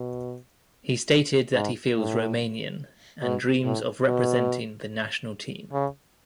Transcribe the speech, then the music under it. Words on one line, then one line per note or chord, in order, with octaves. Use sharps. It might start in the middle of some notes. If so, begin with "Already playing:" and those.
He stated that he feels Romanian and dreams of representing the national team.
Already playing: B2
G#2
A2
B2
A2
B2
C#3